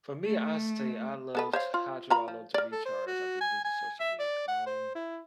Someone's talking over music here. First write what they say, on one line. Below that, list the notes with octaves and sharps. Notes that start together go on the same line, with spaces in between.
for me, I say I loved how do I love to recharge after a busy social week? Um,
A3
B3 A4 B4
C5 C#5 F5
F4
F4 A#5 B5
F3
A#4 D5
A4
C5
F#4
G#5
G#5
E5
D5
F#5
C5
E4